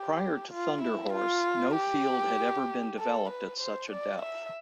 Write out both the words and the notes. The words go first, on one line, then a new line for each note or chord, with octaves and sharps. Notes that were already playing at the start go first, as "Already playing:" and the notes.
Prior to Thunder Horse, no field had ever been developed at such a depth.
Already playing: G4
F4
E4
F4
G4
A4
B4
C5
D5
E5